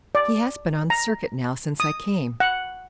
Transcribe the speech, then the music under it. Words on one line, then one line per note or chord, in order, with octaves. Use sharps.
He has been on circuit now since I came.
D5
A#5
D#6
F#5